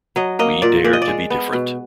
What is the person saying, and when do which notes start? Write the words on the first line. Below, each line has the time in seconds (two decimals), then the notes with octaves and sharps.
We Dare to Be Different.
0.16 F#3 D#5
0.39 A#3 D#5
0.62 A#2 D5
0.85 A#2 D5
0.93 D#5
1.02 D5
1.07 G#3
1.30 B3
1.53 B2